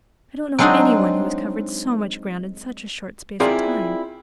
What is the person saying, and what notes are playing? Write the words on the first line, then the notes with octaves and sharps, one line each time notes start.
I don't know any one who has covered so much ground in such a short space of time.
F#3 G#3 C4 D4 D#4 G#4
C4 E4 F4 G#4 A#4 D5